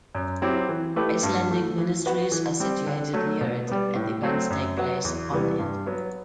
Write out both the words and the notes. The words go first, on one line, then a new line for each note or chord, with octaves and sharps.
Icelandic ministries are situated near it and events take place on it.
F#2
F#3 C4 E4 G4
E3
A3 E4 G4 B4
G2
E3 A3
E3
B3 F#4 B4
E3
G3 C4
D3
F#3 A3
B2
G3 B3
A2
F#3 A3 C4
F#2
F#3 B3 F#4
E2
C3 E3 G3 B3
G2
F#3 B3